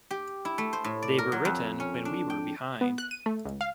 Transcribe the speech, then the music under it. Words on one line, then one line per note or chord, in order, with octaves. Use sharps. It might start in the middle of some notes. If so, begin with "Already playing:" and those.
They were written when we were behind.
G4
E4
A3
C5
A2
D5
A#4
F#3
F2
C#4
D4
G5
B3
F#6
D#7
A3
C#2
F5